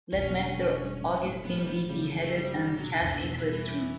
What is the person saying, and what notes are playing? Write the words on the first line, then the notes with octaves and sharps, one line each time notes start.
Let Mr. Augustin be beheaded, and cast into a stream.
E1 C#4
D3
D3
G3
A2
A2
A2 B3
G3
F#3 B3
C#3 G3
F#2
A3
F#3 G3
C#3
B2 F#3
D3
E2
D3
B2 D3
F#3
E3
G3
E3
C#4